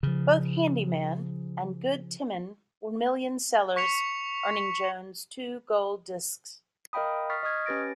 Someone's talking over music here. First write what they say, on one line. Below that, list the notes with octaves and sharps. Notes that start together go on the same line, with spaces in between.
Both "Handy Man" and "Good Timin'" were million sellers, earning Jones two gold discs.
C#3 F3
C#6 B6 C#7 F7
A#4 D#5 F5 G5 B5 D#6
C#6 D#6 F6 A6 B6 C7
D#5 C#6 D#6 F6 G#6
C#4 G4 B4 A6 A#6 D7